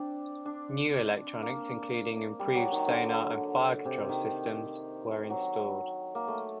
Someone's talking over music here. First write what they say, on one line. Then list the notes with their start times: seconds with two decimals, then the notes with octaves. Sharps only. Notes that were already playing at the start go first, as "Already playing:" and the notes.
New electronics, including improved sonar and fire-control systems, were installed.
Already playing: C4 D4
0.46 D4
1.42 A#3
2.40 G3
2.55 F#3
2.72 D#3
2.87 D3
3.85 C3
4.09 D#3
5.30 F#3
6.15 A#3
6.28 A3